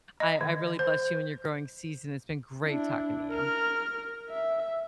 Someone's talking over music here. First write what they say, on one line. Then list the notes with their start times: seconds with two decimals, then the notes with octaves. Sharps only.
I I really bless you in your growing season. It's been great talking to you.
0.20 D#5
0.41 D#3
0.79 C5
2.66 D4 E4
3.32 A#4 F6
4.29 E5